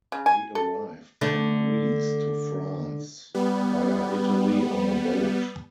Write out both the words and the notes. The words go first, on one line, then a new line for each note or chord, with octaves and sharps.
They arrived from Greece to France via Italy on a boat.
C#3
G#5
A4
D3 A3 D4
G3 B3